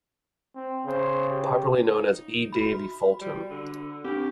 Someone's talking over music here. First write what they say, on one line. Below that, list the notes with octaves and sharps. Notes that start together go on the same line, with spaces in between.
Popularly known as E. Davie Fulton.
C4
C#3 C5
G4
D#4
F#4 B5
G3
D3
C4 D4 G4